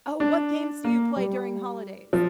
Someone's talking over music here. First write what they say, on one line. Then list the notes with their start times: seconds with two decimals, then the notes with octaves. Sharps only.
Oh, what games do you play during holidays?
0.20 D4
0.84 A#3
1.16 G3
2.13 F3